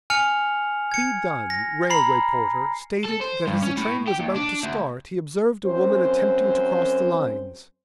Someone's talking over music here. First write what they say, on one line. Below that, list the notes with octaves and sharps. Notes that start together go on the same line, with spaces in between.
P. Dunne, railway porter, stated that as the train was about to start he observed a woman attempting to cross the lines.
G#5 F6 C#7 F7
G#6 C#7
A#6
A#5 B5 C7
A4
C5
G2
C#4
A2
G4
D#2
D4
D2
F#2 C4 C5